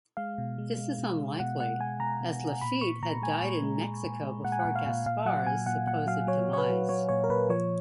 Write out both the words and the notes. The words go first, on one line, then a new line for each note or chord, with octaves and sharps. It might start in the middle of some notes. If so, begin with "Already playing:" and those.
This is unlikely, as Lafitte had died in Mexico before Gaspar's supposed demise.
G#3 F5
B2
G#3
G#3
B2
G#3
B2 F#5
G#3 F#5
G#3 G#5
B2 A#5
B2
B2
A#2 B5
A#2 C#6
A#2 A#5
G#3 G#5
A#2
G#3
G#3
A#2
G#3
A#2 F#5
G#5
F#5
A#2
F5
A#2
A#2 F5
F#3 F#5
A#2 G#5
A#2 F#5
A#2 F#5
F#3 F5
F#3 C#5
F#3 C#5
B4
F#3
F#3 C#5
A#2 C#5
A#4
A#2 B4
F3 C#5